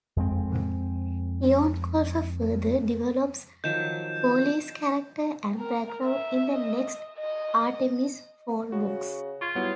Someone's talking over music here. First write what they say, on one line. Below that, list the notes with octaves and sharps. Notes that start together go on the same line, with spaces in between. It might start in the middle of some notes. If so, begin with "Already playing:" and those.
Eoin Colfer further develops Foaly's character and background in the next Artemis Fowl books.
F2 G#3 C4
D#3 F3 F#3 G6 E7
A#4
E5
D#5
D#5
C#3 F#4
F4 C#6 G#6
F#3 G3 B3 E4